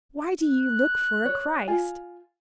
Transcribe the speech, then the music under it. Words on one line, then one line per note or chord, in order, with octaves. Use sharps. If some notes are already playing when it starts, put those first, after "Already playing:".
Why do ye look for a Christ?
F#6
C#5
F4 F5 G#5